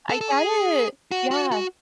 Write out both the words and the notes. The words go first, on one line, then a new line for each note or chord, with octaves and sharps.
I get it. Yeah.
A4
A4
G#4
F#4
F#4
F#4